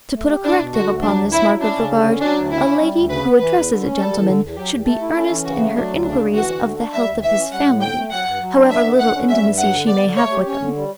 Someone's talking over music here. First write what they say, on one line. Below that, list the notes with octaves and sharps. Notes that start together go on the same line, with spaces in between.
To put a corrective upon this mark of regard, a lady who addresses a gentleman, should be earnest in her inquiries of the health of his family, however little intimacy she may have with them.
A3
G4
D4 E4
B2
D3 F#4
D2
F#3 D4
D2
F#3 E4
E4
C#4 D4
C#3
D3
C#4
F#3 D4
D2
C#3 E4
C#4
G3
D2
C#3 B4
B3
E3 B4
E2
D3
C#4
G3 A4
E2
D3
E2
F#3 G4
E2
A3 A4
E4
C#4 A4
E3
C#3 F#4
A3
F#3 D4
D2
C#3 D4
D2
E3 F#4
D2
D3
D4
G3 E5
D2
E3 E5
C#4
G3 F#5
A2
D3 G5
A3
F#3 F#5
G2
F#3
D4
B3 E5
D3
D3 F#5
C#4
G3 E5
G2
F#3 F#5
D3
B3 D5
D3
A3 C#5
G4
C#4 C#5
D3
G3